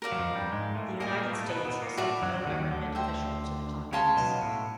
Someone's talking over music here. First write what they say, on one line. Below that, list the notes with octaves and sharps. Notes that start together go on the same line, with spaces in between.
The United States sent no government official to the conference.
A#4 D5 F5
F#3
F2 F3
G2 G3
G#2 G#3
A2 A3
A#2 A#3 A#4 D#5 G#5
A#2 A#3
A2 A3
B2 B3
B2 B3
A#2 A#3
A2 A3 F#4 A#4 D5
F#2 F#3
F#2 F#3
D3
D#2 D#3
D2 D3
C5 E5 G5
C#2 C#3 C#5 F5 A5 C6
B1 B2
A2